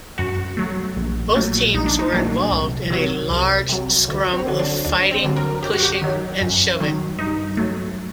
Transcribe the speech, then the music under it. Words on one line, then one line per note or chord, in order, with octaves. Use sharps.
Both teams were involved in a large scrum of fighting, pushing, and shoving.
F#2 F#4
F#3 A3
A#1
A#2 F#3 A3
A#1 D#4
D4
D#4
A#2 F#3 A3 D4
C2
C3 F#3
C2
C3 F#3
D2
C4
D3 F#3
D4
D2 D4
C4
D3 F#3
A#4
F#2 G4
F#4
G4
D#3 F#3
F#2
D#3 F#3
G2 D#4
F#3 A3